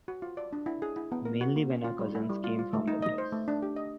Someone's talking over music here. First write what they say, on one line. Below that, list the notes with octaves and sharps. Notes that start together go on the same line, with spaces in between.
Mainly, when our cousins came from the press.
F#4
F4
D5
D4
E4
G#4
E4
B3
A#4
F#4
A#3
C#4
F4
G3
E4
G3
F4
F4
A3
D#4
D#5
C5
A3
D4
G4
D#5